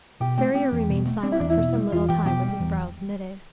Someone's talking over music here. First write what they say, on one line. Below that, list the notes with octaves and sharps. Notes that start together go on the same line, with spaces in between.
Ferrier remained silent for some little time with his brows knitted.
B2 G4
A3 G4
C4 G4
E2
B2
A3
C4 D4
E4
E2 D4
E4
B2
G3
E2 F4
E2 G4
B2 G4
G3
E2